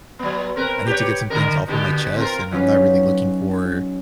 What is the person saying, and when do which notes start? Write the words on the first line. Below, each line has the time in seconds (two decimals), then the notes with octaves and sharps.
I need to get some things off of my chest, and I'm not really looking for
0.19 F#3 B3
0.56 C4 A#4 B4
0.87 G4 B4 C#5
1.30 D3 D#3 A#4
1.67 B2 D3 G4
2.17 C4 F4 A#4
2.52 F#3 C#4 D#4 F4 G4 B4